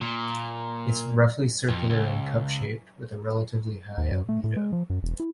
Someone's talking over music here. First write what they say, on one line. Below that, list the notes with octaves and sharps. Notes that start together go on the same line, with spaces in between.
It is roughly circular and cup-shaped, with a relatively high albedo.
A#2
F2
C#2
D#2
F#2
A3
A2
G#3
F3
F#2
E1
E4